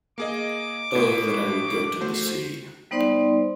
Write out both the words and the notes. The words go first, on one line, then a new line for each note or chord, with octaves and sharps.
O that I would go to the sea!
A#3 G#4 D#5 D6
A2
A3 F#4 C5
G3 B3 D#4 C5 D5 C6